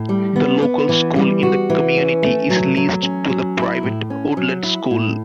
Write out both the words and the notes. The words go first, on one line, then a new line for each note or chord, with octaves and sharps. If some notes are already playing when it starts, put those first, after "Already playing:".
The local school in the community is leased to the private Woodland School.
Already playing: A2
G3
B3
B3
E3
G3
F#4
E3
C#4
A3
F#3
F#3
C#4
F#3
E4
A2
C#4
F#3
E4
A2